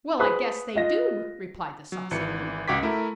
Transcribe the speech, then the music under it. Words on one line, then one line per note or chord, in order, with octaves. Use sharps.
"Well, I guess they do," replied the saucy one.
G#4 B4 C5 B5 D#6 F#6
F4 D#5 A#6
F#3
G#1 E3 C#7
C#2 F#4 G5 D6 G#6 B6
A3 E4 A#4